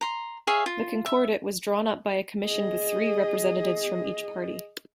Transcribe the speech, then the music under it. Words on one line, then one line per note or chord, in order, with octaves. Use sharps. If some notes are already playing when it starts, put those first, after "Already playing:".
The Concordat was drawn up by a commission with three representatives from each party.
A#5 C6
G#4 C#5 E5 F5
F4
E5
G#4 D#5